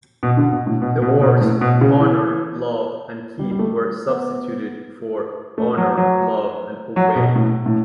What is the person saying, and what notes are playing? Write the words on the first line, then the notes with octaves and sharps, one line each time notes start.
The words "honor, love, and keep" were substituted for "honor, love and obey".
B2
D3
B2
A2
B2
B2
B2
A2
B2
C#3
E3
G3
G3
A3
B3
A3
F#3
F#3
F#3
B2
A2
A2